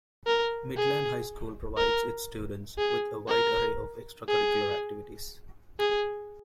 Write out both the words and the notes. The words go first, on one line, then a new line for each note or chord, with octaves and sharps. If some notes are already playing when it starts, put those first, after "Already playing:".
Midland High School provides its students with a wide array of extracurricular activities.
A#4
G#4
A#4
G#4
A#4
G#4
G#4